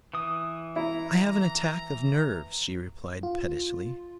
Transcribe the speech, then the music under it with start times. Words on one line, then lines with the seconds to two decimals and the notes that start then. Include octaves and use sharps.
"I have an attack of nerves," she replied pettishly.
0.14 E3 D#6
0.76 E4 A#5
3.23 F4